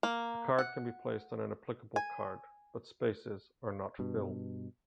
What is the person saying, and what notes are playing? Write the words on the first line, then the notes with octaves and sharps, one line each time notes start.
A card can be placed on an applicable card, but spaces are not filled.
A#3
F#5
G#5
G2 B2